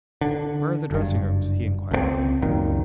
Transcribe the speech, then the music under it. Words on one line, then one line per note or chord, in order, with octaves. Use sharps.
"Where are the dressing rooms?" he inquired.
D3
F#1 G2
C#2 A3 C4
C#2 F#2 A#2 D#3